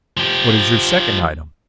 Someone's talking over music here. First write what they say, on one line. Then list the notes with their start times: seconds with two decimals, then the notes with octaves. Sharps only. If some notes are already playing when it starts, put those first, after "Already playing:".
"What is your second item?"
0.17 F3 G4